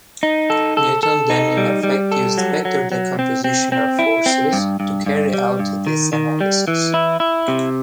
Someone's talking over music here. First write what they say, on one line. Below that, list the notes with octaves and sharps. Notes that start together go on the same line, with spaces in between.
Newton then in effect used vector decomposition of forces, to carry out this analysis.
D#4
A4
A4
A4
D#4
G3
G3
A4
F#3
F#3
F#3
C4
C4
C4
E4
C4
G2
G2
G2
G3
G2
D#3
D#3
G3
E3
E4
E4
C3